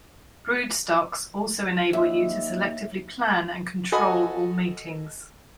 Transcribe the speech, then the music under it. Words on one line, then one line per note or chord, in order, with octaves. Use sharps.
Broodstocks also enable you to selectively plan and control all matings.
D#2 E5
F#4 A4 D#5 G#5 B5 D#6